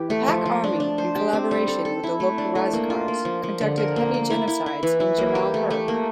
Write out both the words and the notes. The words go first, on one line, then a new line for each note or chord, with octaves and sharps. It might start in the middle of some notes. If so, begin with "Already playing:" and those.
The Pak army, in collaboration with the local razakars, conducted heavy genocides in Jamalpur.
Already playing: E3 G4
A3
F3
F3
D4
D4
C5
G4
C4
G3
A4
A4
E4
A3
D4
A3
A#3
F4
A#3
F3
F3
D3
A#4
A#3
A#3
E4
E4
E4
E3
E4
A#3
G4
A3
A3
A#3